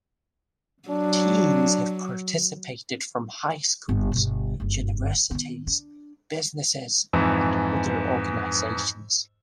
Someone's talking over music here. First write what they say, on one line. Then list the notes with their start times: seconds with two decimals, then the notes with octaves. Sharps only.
Teams have participated from high schools, universities, businesses and other organizations.
0.89 F#3 D4
3.89 G1
4.12 G1 B2
4.60 F#1 G2
5.31 D#3 B3
5.67 D4
7.13 F2 G#2 E3